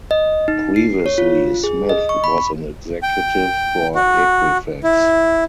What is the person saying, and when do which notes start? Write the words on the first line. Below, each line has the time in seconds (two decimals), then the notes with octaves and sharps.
Previously, Smith was an executive for Equifax.
0.11 D#5
0.48 D#4
0.76 C7
1.06 C#5
1.18 F4
1.64 G#4
1.89 D#5
2.09 C#6
2.24 B5
3.03 G5
3.95 F#4
4.84 E4